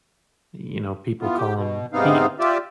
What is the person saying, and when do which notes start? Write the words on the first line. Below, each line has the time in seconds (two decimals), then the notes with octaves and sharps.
you know, people call 'em peaks,
1.21 E3 B3 F4
1.38 G4
1.55 B2
1.93 G#2 C3 B3 C4 D#4 F5
2.40 F4 G4 D5 E5